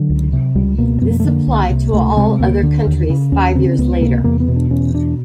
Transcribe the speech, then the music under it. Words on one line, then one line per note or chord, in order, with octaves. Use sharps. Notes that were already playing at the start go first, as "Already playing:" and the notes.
This applied to all other countries five years later.
Already playing: D3 F#3
C#2
C3
C#2 G3
B2 A#3
F2 B3
A#3
A3
D3 A#3
C2
C3
C#2 A3
C3 G#3
D2 A#3
D3
D#2
C#3
D#2 C#4
C#3 C4
C#2 B3
C3 A#3
E2 A#3
B3
B2
D4
E2 C#4
B2 D4